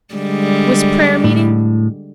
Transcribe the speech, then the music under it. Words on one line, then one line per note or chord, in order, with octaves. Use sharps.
"Was prayer-meeting?"
D3 G3 G#3
A2